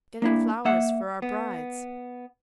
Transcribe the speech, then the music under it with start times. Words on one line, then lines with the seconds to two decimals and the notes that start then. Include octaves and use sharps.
'Getting flowers for "our brides".
0.22 A#3 D4 E4
0.65 A#3 E5 F#5
1.22 B3